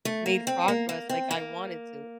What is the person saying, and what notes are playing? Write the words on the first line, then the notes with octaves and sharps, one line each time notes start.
made progress like I wanted to."
A3
A#3
C4
A#3
A#3
C4
A#3